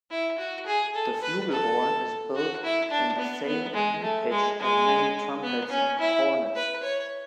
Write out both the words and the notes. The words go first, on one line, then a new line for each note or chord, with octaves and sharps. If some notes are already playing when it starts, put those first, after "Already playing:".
The flugelhorn is built in the same B pitch as many trumpets and cornets.
E4
F#4
G#4
A4
B4
A4
F#4
E4
D4
B3
B3
G#3
A3
G#3
G#3
B3
C#4
E4
B4
C#5